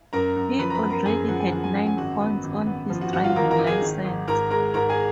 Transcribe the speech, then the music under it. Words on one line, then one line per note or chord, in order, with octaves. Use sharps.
He already had nine points on his driving licence.
F#2 A#4 A#5
F#2
F3 B4 B5
A#5
B4 B5
B3
A#4 A#5
F#2 G#4 G#5
F3 F#5
G#5
F3 F#5
G#5
F#2 F#5
G#5
G#1 F#4 F#5
B3
G#1
B3
F3
F#4 F#5
G#2 F#4 F#5
F4 F5
G#1 A#4 A#5
A#4 A#5
G#1
G#4 G#5
D#3
G#2
G#2 A#4 A#5
G#3 A#4 A#5
G#2 A#4 A#5
G#4 G#5